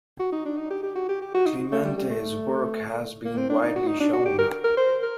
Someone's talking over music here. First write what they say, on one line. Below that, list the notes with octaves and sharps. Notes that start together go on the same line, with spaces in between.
Clemente's work has been widely shown.
F#4
D#4
D4
D#4
G4
G4
F#4
G4
G4
F#4
D#4
A3
G3
G3
A3
A#3
C4
D4
D#4
F#4
D#4
D4
F#4
G4
A#4
A#4
C5
A#4